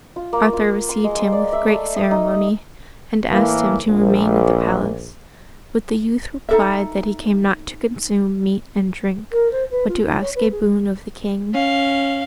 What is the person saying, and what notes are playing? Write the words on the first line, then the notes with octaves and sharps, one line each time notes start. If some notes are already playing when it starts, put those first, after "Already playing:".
Arthur received him with great ceremony, and asked him to remain at the palace; but the youth replied that he came not to consume meat and drink, but to ask a boon of the king.
F4
A#3
F4
C6
G#3
C6
D5
E5
A3
D#6
D#4
A2 E3 A#3
A#1
D#4 A4 E5
A#4
C5
B4
F4
D#4
C#5
B4
G#4
C#4 F5